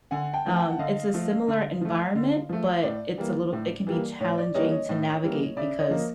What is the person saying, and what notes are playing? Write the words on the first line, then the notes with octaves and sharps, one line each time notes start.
um, it's a similar environment, but it's a little it can be challenging to navigate because
D3 F#5 G#5
G5 A5
F3 A3
G5 A5
F#5
D3 D#5 F5
F3 A3
D3
F3 A3
D3
F3 A3
A2 D5
E3 G3 A#3
A2
E3 G3 A#3
A2 C#5
D5
E3 G3 A#3 C#5 D#5
C#5 D#5
A2
E3 G3 A#3
C#3 D5 E5
C#5 D#5
F3 A#3